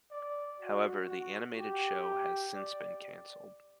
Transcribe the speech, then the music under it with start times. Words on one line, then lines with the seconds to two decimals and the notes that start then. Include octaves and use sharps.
However, the animated show has since been cancelled.
0.11 D5
0.60 F#4
1.08 F#4
1.56 G4
2.54 D5